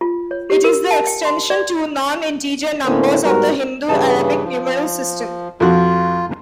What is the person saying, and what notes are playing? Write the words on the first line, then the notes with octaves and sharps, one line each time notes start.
It is the extension to non-integer numbers of the Hindu-Arabic numeral system.
F4
C#5
G4
A#4
A5
G5
C6
D5
A2 D3 A#3 C4 C#4
G#2 G3 B3 F#4 A#4
G2 C#3 E3 A5
F3
F2 F4 F#4